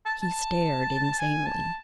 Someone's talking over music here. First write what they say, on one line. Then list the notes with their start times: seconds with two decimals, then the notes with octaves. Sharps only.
He stared insanely.
0.05 A5
0.22 A5
1.18 G#5
1.46 A5